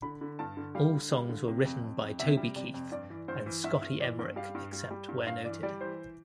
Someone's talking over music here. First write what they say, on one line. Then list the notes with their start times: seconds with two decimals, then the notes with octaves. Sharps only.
All songs written by Toby Keith and Scotty Emerick except where noted.
0.02 D3 B5
0.21 D3
0.39 G2 A5
0.57 D3
0.75 G3 F5
0.93 D3
1.11 G3
1.29 D3
1.48 C3
1.65 F2
1.84 F2
2.02 F2
2.20 C3 E5
2.37 G3
2.56 C3 D5
2.74 F2
2.91 G2 D5
3.10 E3
3.28 G2 C5
3.46 E3
3.64 G2 E5
3.82 G2
4.00 E3 D5
4.19 G2
4.36 G3 F5
4.55 G2
4.73 G3
4.91 G3
5.08 G2
5.27 G2 F5
5.45 E3 D5
5.63 G3 D5
5.81 E3 C5